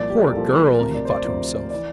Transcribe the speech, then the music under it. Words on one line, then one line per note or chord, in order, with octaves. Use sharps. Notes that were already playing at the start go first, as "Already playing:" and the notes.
'Poor girl,' he thought to himself.
Already playing: C2 A#2 F3 D5
G4
A#4
C2 A#2 F3 A4
D2 C3 F3 A#4
D5
C5
D5
D2 C3 F3
E3 D5